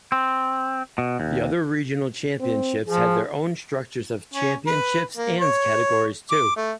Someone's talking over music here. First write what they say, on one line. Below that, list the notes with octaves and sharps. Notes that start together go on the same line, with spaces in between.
The other regional championships had their own structures of championships and categories too.
C4
B2
D#2
C4
F3 G#4
C#4
B4
A#3
C#5
D6
A3